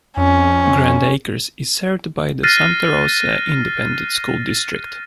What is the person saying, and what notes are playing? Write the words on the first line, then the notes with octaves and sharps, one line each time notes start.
Grand Acres is served by the Santa Rosa Independent School District.
F2 C#4
F6 F#6 A6 A#6 C7 D#7